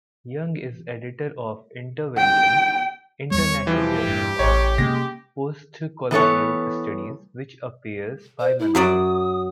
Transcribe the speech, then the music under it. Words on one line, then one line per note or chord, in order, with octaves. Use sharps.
Young is Editor of "Interventions: International Journal of Postcolonial Studies" which appears bimonthly.
G5
E2 G3 C#5
E3 F3 G4
G2
A1 C#5
C3 G#3 A#3 C#4 A#6
E3 B3 A4 C#5
C5
E4
F#2 F#3 D5 D#6